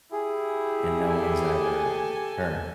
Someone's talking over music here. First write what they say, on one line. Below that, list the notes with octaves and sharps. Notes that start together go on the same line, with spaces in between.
and no one's ever her,
E4 G4 G#4
A4 G#5